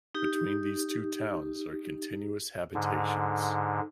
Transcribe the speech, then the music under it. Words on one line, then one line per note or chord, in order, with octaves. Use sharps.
Between these two towns are continuous habitations.
D#4 G4
G#2 D3